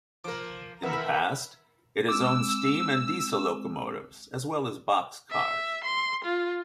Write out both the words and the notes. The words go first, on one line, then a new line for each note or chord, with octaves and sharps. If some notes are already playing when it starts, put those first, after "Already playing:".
In the past, it has owned steam and diesel locomotives, as well as boxcars.
F3 A#3 A#4 D6
D#2 A#3 B3 A#4 E5 B5
G#3 C4 D6 E6
E5
C6
F4